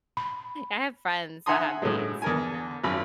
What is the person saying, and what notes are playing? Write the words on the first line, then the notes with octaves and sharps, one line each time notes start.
I have friends that have maids, and, um
B5
E5 F#5 G#5 A#5 C6 D#6
A2 D3 F#3 G#3
E2 A#4 G#5
G#1 F#2 B5